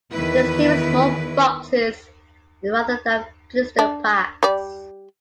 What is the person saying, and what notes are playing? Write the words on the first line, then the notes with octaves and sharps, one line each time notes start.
These came in small boxes rather than blister packs.
E2 D#3 E4 B4
D4
G3 D5